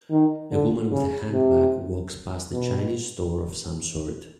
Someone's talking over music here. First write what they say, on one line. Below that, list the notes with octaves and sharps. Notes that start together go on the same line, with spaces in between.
A woman with a handbag walks past a chinese store of some sort.
D#3
D3
C#3
C3
B2